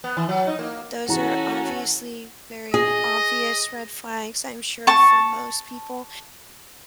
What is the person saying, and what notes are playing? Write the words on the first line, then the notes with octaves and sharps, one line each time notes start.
those are obviously very obvious red flags, I'm sure, for most people.
B3
E3
F#3
D#4
A#3
E3 C#4 F#4 G#4 A4 A#5
G#4 D#5
A5 C#6